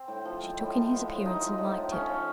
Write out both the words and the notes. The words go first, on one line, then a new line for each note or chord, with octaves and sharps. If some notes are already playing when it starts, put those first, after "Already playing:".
She took in his appearance and liked it.
Already playing: C4
A2
F3
G#3
A2
G#3
F3
A2
F3 D#4
G#3
A2
A2
A3 C#4
F3